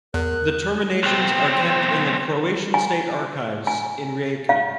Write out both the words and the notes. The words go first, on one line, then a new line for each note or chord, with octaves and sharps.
The Terminations are kept in the Croatian State Archives in Rijeka.
E2 A#4 F#6
B1 C4
G#5
G#5
F5